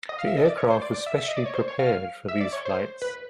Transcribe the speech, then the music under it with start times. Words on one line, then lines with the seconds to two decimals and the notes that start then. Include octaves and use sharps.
The aircraft was specially prepared for these flights.
0.09 D#5
0.19 F5
0.27 E5
0.37 D#5
0.45 D5
0.57 C#5
0.70 C5
0.82 D5
0.94 D5
1.06 E5
1.18 E5
1.28 D#5
1.37 D5
1.45 C#5
1.55 C5
1.68 C#5
1.79 F5
2.28 E5
2.41 D5
2.53 C#5
2.65 C5
3.02 B4